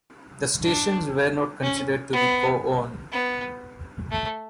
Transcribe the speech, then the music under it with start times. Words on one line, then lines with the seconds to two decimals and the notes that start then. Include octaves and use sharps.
The stations were not considered to be co-owned.
0.64 D4
1.62 C#4
2.13 B3
3.12 B3
4.11 A3